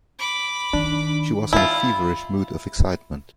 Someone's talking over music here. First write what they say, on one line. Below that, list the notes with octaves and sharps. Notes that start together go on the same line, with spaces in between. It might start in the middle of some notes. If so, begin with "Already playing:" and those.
She was in a feverish mood of excitement.
B5 D6
D#3 D4
E4 F4